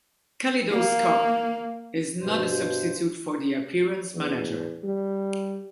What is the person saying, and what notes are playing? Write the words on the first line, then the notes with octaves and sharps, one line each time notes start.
Kaleidoscope is not a substitute for the Appearance Manager.
A#3
G2 B2 C5
E2
G3